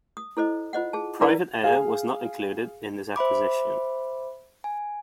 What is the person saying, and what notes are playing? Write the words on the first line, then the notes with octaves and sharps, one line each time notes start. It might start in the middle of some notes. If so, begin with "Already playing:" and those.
"Private Air" was not included in this acquisition.
D#6
E4 A4 C5 D#5
F4 C5 D#5 F#5
G#4 A5
D#4 E4 A#4 B4 D5 F5
G#4 F5
C5 E5 B5 D6
G#5